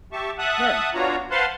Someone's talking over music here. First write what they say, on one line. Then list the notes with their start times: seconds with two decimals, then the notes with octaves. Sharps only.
Very nice.
0.12 G4 E5 A5 C#6
0.39 E5 F#5 A5 D#6 F#6
0.94 B3 D4 F4 F#4 C#5 A#5
1.31 B4 C5 F5 F#5 A5 C6